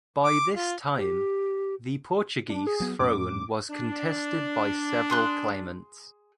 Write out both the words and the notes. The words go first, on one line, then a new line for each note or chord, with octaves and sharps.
By this time, the Portuguese throne was contested by several claimants.
D6
F4
G4
D4
G#4
F#3 B3
F2 A2 C#4 D6
D4
G#4 C6 F#6